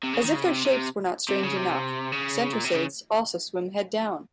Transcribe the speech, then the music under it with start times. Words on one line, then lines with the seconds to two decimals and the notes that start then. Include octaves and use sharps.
As if their shapes were not strange enough, centriscids also swim head down.
0.04 C3
0.14 C#3
0.25 D#3
0.35 C#3
0.46 C3
0.66 C3
1.29 C3
1.43 C#3
1.57 C3
2.12 C#3
2.53 A#2
2.65 C3
2.75 C#3